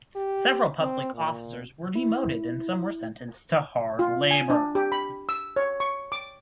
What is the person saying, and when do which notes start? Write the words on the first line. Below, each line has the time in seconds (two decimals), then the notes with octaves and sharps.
Several public officers were demoted and some were sentenced to hard labour.
0.15 G4
0.80 C4
1.14 A#2
1.96 E4
3.99 F4
4.31 G#5
4.50 D4
4.75 G4
4.92 B5
5.29 E6
5.56 C#5
5.80 C#6
6.12 D6